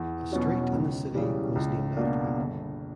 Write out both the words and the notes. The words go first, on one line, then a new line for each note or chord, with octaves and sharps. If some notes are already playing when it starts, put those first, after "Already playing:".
A street in the city was named after him.
Already playing: E2
B2 F#3 C#4 F#4
C#2
C#3 E3 G3
C#2
B2 A#3 D4
G1